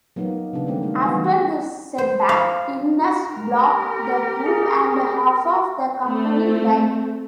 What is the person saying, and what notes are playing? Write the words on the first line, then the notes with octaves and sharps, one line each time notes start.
After this setback, illness plagued the group and half of the company died.
F#3 A#3 B3 D#4
C#3 F#3 B3 D4
D#3 G3 A3 A#3 C4 D4
G#3 D4 D#4
E3 G3 B3 D#4 F#4
C5
F5
G4 A#4
G#4
A3 C4